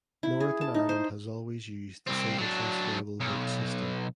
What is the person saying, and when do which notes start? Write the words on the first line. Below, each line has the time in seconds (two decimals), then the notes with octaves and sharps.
Northern Ireland has always used the single transferable vote system.
0.23 E4
0.40 G#4
0.61 A5
0.74 D#4
0.89 C5
2.07 C2 C4
2.38 F#3 D4
3.21 B1